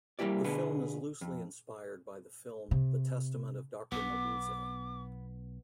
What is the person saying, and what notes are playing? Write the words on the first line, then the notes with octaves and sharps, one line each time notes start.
The film is loosely inspired by the film The Testament of Doctor Mabuse.
G3 A#3 E4 G4 D5
B2 D3 B3 G#4 B4
F2
C3
B1 B3 D6